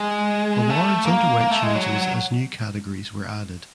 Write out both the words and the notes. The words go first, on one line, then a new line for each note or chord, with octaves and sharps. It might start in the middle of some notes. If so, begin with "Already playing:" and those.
Awards underwent changes as new Categories were added.
Already playing: G#3
A3
A#3
A#3
A3
G#3
F#3